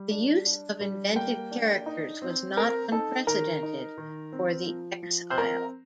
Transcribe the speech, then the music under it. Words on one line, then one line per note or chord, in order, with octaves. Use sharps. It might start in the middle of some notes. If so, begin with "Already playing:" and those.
The use of invented characters was not unprecedented for "the eXile".
Already playing: G3
D4
D4
G3
A#3 G5
D4
D#4
C4
C4 A#4
D#4 A4
D#3 A#4
D#4
D#3
C4
F3
F3
C5
C4 A#4